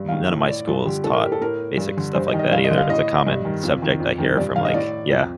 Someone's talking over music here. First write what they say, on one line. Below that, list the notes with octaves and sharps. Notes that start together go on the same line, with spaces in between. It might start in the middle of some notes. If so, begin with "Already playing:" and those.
m none of my schools taught basic stuff like that either, if it's a common subject I hear from, like Yeah
Already playing: G2
F5
D#3
A2
D5
G2 F4
D3 G4
A2 A4
A#4
G4
A4
A2 A#4
G2
D3
G2 C5
D#5
D#3
D#5
G2 F5
D#5
D3
F5
A2 D#5
G2
D#3
F2
D#3
F2
C3 D#3
G2 D5
D#3 F5
D#5
A2 D5
F2